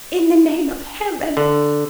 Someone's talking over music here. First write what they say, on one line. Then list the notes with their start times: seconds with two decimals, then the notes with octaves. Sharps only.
"In the name of heaven!"
1.37 D3